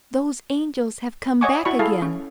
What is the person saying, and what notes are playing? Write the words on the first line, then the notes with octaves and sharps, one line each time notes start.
Those angels have come back again.
C#5 D#5 F#5 G#5 C#6 D6
E4 F#4 D5 B5 C#6
E4 G#4 A4 F5
C#4